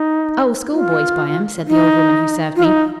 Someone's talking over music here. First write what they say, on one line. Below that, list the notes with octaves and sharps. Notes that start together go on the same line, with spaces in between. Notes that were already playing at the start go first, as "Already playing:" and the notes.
'Oh, schoolboys buy 'em,' said the old woman who served me.
Already playing: D#4
F4
D#4
F4
D#4